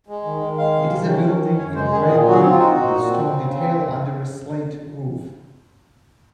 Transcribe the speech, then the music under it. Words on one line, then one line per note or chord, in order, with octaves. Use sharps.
It is a building in red brick with stone detail under a slate roof.
G#3
D#3
D#3
G#3 F5
C3
D#3
C#4
D#3
C#4
F#2 C#5
G#3 C5
D#3 G#4
A#2 G#4
F#3 F#4
G#4
C4
F4
D#4 F#4
D#4
A#2
C4
C#3
C#3
C4
C#3